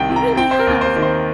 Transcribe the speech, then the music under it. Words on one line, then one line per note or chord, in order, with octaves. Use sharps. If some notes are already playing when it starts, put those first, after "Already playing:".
We really have.
Already playing: C2 D#3 G5
C3
A#5
C4 G5
C5
A#4
D#2
C5
D#3
C5